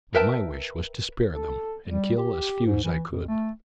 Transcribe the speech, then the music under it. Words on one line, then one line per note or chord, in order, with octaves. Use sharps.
But my wish was to spare them, and kill as few as I could.
A#4 B4 E5 G5 A5
A4
G3
G4
G#2
E3
F2
A3